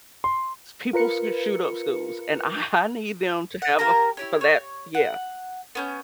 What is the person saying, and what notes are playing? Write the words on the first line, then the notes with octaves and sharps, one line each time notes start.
s people sc shoot up schools and I need them to have a for that Yeah,
C6
F4 A#4 B4 C#7
F#5
A#3 G4 A#4 A#5
E4 G4 C#5
C#5
F#5
B3 C#4 G6